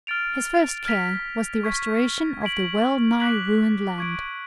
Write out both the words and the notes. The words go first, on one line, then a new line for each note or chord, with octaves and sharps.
His first care was the restoration of the well-nigh ruined land.
F6 A6 D7 F7
F6 G#6 B6 F7
C#6 G#6 B6
G#6 B6 D7 F#7
D6 F#6 B6 F#7
C#6 G#6 D7